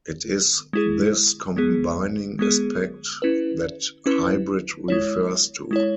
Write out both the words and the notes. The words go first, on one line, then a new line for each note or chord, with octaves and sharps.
It is this combining aspect that "hybrid" refers to.
G#3 E4 G#4
G#3 B3 G#4
G#3 B3 G#4
C#4 E4 B4
C#4 E4 B4
G#3 E4 C#5
G#3 E4 C#5